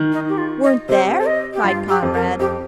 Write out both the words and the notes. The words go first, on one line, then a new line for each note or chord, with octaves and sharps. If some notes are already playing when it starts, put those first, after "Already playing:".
"Weren't there?" cried Conrad.
Already playing: D#3
D#4
G4
F4
D#5
C3 C5
C5
D#5
G4
G2 F4
G4
F2
A#4
F2 G4